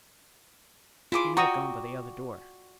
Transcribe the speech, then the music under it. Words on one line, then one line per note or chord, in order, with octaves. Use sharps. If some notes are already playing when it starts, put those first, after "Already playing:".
"He may have gone by the other door."
E4 F4 G#4 C6 D6
F#4 D5 G5 A#5 C#6 D#6